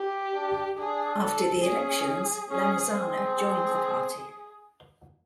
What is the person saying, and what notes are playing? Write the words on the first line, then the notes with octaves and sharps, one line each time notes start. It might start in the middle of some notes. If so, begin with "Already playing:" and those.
After the elections Lamizana joined the party.
Already playing: G4
D4
D4 G#4
A4
C#4 G#4
C#4 G#4
C4 G#4